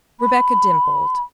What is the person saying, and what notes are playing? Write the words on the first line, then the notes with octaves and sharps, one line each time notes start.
Rebecca dimpled.
B5